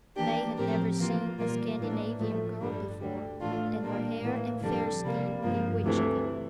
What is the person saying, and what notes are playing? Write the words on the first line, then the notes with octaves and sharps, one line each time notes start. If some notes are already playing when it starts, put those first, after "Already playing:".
They had never seen a Scandinavian girl before, and her hair and fair skin bewitched them.
E3 A#3 D4 G4
A2 F3 C4 G4 A#4
E3 A#3 F4
A#2 G3 A#3 F4 A#4
A2 E3 A#3 D4
A2 F3 A3
G2 D3 G3 D4
D2 D3 G3
A2 E3 A3 D4 F4
A#2 G3 A#3 D4
A2 E3 A#3
F2 D3 G3 D4 A4
C3 G3 A#3
G2 F3 A#3
D2 C3 E3 A3